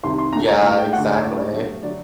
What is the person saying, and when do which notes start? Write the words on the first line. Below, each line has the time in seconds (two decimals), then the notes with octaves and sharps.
Yeah, exactly.
0.03 C2 C3 D#3 C6
0.18 C6
0.32 D2 D3 A3 A#5
0.48 A#5
0.62 A2 A#5
0.66 A3
0.78 G5
0.93 D2 D3 A3 F#5
1.08 D5
1.22 A2 A3 D5
1.53 G2 F#3 A3
1.83 D3 F#3 D5